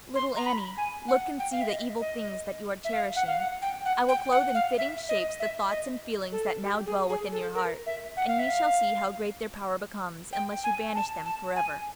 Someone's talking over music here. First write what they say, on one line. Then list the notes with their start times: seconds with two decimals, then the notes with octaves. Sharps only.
"Little Annie, look and see the evil things that you are cherishing; I will clothe in fitting shapes the thoughts and feelings that now dwell within your heart, and you shall see how great their power becomes, unless you banish them for ever."
0.15 C6
0.36 A#5
0.46 B5
0.77 G#5
1.08 F#5
1.39 G5
1.52 F5
1.61 E5
1.69 D#5
2.01 D#5
2.85 E5
2.93 F5
3.16 F#5
3.27 F5
3.39 F#5
3.62 G5
3.85 F#5
4.09 G5
4.31 F#5
4.55 F5
4.78 E5
5.09 D#5
5.40 E5
5.71 D#5
6.32 A4
6.63 G4
6.86 G#4
7.09 G#4
7.32 A4
7.55 A#4
7.86 E5
8.17 F#5
8.28 F5
8.39 E5
8.50 F5
10.33 G5
10.64 G#5
10.95 A5
11.25 A5
11.56 G#5